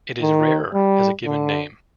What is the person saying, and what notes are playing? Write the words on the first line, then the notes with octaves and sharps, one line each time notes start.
It is rare as a given name.
D#3
G3
D3